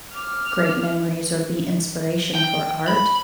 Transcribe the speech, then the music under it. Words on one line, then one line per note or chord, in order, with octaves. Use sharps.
great memories or be inspiration for art.
D6 F6
G5
B5